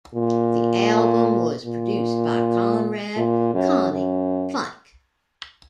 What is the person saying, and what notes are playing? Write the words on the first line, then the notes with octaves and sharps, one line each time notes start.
The album was produced by Konrad "Conny" Plank.
A#2
A#2
A#2
F#2
F#2